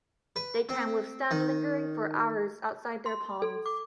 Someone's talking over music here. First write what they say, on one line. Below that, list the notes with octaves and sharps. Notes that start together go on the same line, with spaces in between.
They can withstand lingering for hours outside their ponds.
B4
C4
D#3
C6
A4
D6